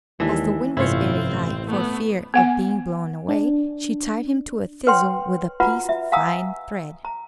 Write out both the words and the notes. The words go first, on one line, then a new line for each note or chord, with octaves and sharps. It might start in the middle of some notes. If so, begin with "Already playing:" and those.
As the wind was very high, for fear of being blown away, she tied him to a thistle with a piece of fine thread.
D#2 E3 G#3 D4 G4 E5
A1 G2 C3 C4 E4 F4 C#5
A1
A3 B3
B3 F#5 G#5
D4
B4 C#5 F#5 G5 C6
F4 F#4 B4 F#5 A#5 B5
E5
F5 F#5 G#5 A#5 D#6 E6
A#5